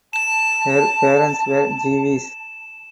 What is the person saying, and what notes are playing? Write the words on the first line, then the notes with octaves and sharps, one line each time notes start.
Her parents were Jewish.
A5 E7